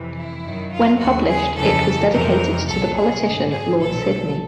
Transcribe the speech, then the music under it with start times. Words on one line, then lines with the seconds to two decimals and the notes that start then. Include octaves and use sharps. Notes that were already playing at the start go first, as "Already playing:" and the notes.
When published it was dedicated to the politician Lord Sydney.
Already playing: F2 C3 E3
0.16 E4
0.43 F#2 D#3 F#3
0.71 F4
0.99 D#2 C#3 F#3 F#4
1.27 G#4
1.55 F2 C#3 E3 A4
2.12 F2 C3 E3 A#4
2.67 C2 A#2 F#3 A4
2.96 G#4
3.24 G#1 F#2 D3
3.51 G#4
3.80 B1 A#2 F#3 A4